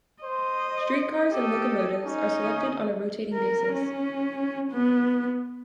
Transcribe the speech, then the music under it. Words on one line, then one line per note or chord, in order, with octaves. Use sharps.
Streetcars and locomotives are selected on a rotating basis.
C5 D#5
G4 A4 D#5
C#4 D#4 D#5
A#4
C#4
B3